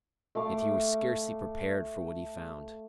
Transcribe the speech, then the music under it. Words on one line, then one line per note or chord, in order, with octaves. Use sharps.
Yet he was scarcely prepared for what he found.
A3 F5 D6